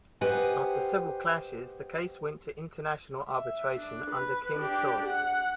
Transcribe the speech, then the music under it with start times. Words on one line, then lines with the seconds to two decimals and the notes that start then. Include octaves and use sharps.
After several clashes, the case went to international arbitration under King Saud.
0.21 G4 B4 C5 D#5 F#5 G#5
3.28 E5
3.80 D4
4.11 B4
4.56 D4 G4
5.07 F#5